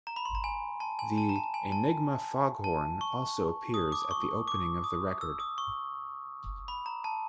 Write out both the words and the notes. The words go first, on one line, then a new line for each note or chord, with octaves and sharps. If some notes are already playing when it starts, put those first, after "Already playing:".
The "Enigma foghorn" also appears at the opening of the record.
A#5
B5
C6
A#5
G#5
A5
G#5
A5
A#5
A5
G#5
A5
A5
C#6
D#6
D6
C#6
D6
D#6
E6
D#6
C#6
B5
A#5
A5